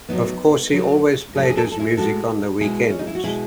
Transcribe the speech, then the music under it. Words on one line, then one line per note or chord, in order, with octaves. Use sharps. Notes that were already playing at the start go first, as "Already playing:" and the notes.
Of course, he always played his music on the weekends.
A2 F#3 B3 D#4
C#3 F#3
A2 F#3 G#4
A4
G#4
A4
G#4
A4
E4 G#4
A2 G#3 F#4 A4
B2 G#3 E4 G#4
C#4
D#4
E4
F#4
B2 G#3 E4 G#4